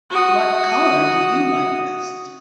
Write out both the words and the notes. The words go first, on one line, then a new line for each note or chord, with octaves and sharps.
What color do you like best?
F#4 D#6